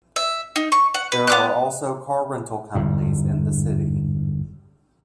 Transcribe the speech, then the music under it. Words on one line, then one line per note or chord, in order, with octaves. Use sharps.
There are also car rental companies in the city.
E5
D#4
C#6
F#5
B4
B3 D6 F#6
G1 E2 G#2